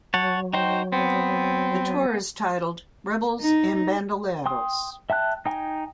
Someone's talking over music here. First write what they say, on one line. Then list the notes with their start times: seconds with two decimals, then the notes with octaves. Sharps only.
The tour is titled "Rebels and Bandoleros".
0.14 F#3 C#5 F#5 A5
0.53 D#4 F#4 C5 G5
0.92 B3 C4
3.41 D#4
4.46 G5 C6 D#6
5.10 E5 G5 A5 F#6
5.46 D#4 G5 G#5 A#5